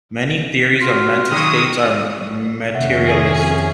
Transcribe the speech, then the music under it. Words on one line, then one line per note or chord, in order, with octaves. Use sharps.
Many theories of mental states are materialist.
F4 F#4
D#3 F#3 D#6
F2 C3 D#3 C#4 C#5 E5 F#5
G#4